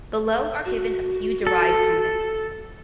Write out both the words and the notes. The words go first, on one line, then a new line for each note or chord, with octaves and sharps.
Below are given a few derived units.
F#4
A4